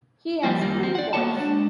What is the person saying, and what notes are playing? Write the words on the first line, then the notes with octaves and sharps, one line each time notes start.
He has twin boys.
F3 G3 A#3 F#4
F#2 D#3 G3 A#3
C4
D5 F#5
A#3 B3 F#4 A4 C#5 A5
G#3 D4